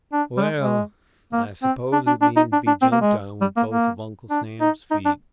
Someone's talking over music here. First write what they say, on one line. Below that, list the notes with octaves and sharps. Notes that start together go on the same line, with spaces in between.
"Well, I suppose it means be jumped on with both of Uncle Sam's feet."
D4
G3
G#3
G#3
A#3
C4
D4
D4
D4
D#4
D4
D4
C4
A#3
G#3
G3
A#3
A#3
D4
D#4
D#4
D4